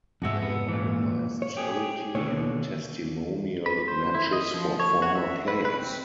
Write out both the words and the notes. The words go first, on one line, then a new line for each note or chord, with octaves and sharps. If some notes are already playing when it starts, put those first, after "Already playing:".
They organise charity and testimonial matches for former players.
F2 G#2 C3 F#4 E5
B3
A#2 E3
C#5
G4 G#4
D#2 B2 D3 C#5
B4
C5
E4
D#5
F3
C#5
F#4
E5
B4
B4
C4